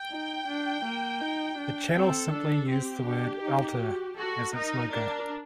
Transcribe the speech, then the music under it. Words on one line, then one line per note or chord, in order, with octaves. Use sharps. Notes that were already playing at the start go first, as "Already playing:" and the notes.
The channel simply used the word 'Alter' as its logo.
Already playing: G5
D#4
D4
A#3
D#4
D4
C4 A4
D4
C4 G4
D4
D#4
F#4
F#4 A4
D#4 A#4
D4 A#4